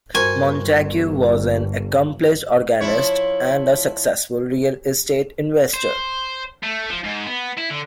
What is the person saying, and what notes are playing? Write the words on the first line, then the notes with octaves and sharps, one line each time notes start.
Montague was an accomplished organist and a successful real estate investor.
G1 F#4 A#4 C5 G#5
F3 E4 C#5
C5
A3
F3
G#2
B3
E4
D3